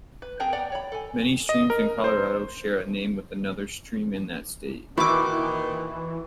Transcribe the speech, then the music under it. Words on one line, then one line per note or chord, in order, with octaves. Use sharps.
Many streams in Colorado share a name with another stream in that state.
B4
C4 G#4 A#4 G5 A5
B3 D5 F#5 A#5
C#5 B5
A4 G#5
D#5
A#4
C5
A#2 D#3 E3 F#4 B5 C#6 D6 E6